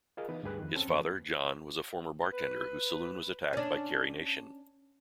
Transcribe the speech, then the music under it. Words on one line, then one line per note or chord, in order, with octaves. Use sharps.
His father, John, was a former bartender whose saloon was attacked by Carrie Nation.
F4 G#4 A#4 D#5 F5
E3 B3 D#4 B4
D2 G2 G4 G#4 B4 F#6
F2 D#3
C4 C#4 A4
F2 E3 B3
B4
C#4 D4